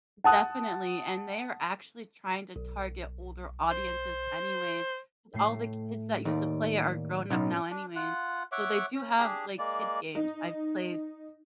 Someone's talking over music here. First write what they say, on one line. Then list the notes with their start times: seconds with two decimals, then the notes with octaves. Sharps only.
Definitely, and they are actually trying to target older audiences anyways. 'Cause all the kids that used to play are grown up now anyways. So, they do have, like, kid games. I've played
0.24 F#5 A5 D#6 F#6
2.56 B1
3.70 C5
5.33 A2 A3 C7
6.25 D#2 D5
7.30 B1 C#4 F6
7.70 D4
7.95 F4 F#5
8.52 C#5 E5 F#5 D6
8.95 C#4
9.18 D4 G4 G#4
9.58 G#3 A#3 D5
10.15 D#4